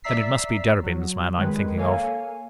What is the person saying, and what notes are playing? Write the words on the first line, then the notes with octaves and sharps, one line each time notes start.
Then it must be Derebin's man I am thinking of.
D5 E5 A#5 E6 B6 C7
F#3
D#3 G3 G#3 B4
A#3 A4 C#5 F5 G#5